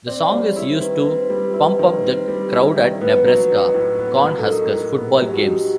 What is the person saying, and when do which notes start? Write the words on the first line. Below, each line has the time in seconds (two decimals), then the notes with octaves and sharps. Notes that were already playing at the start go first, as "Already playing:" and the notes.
The song is used to pump up the crowd at Nebraska Cornhuskers football games.
0.07 C4 D5
0.32 G3 C#5
0.56 E4 C5
0.77 C5
0.81 D#3 B4
1.05 C4
1.30 G3
1.54 E4 B4
1.79 D#3
2.04 C4
2.28 G3
2.53 E4
2.76 D#3
3.01 B3 B4
3.25 F#3
3.50 D#4
3.74 A2
3.99 B3
4.24 F#3
4.39 A4
4.48 D#4 A#4
4.73 A2
4.98 B3
5.16 G4
5.22 F#3 G#4
5.37 F#4
5.46 D#4 G4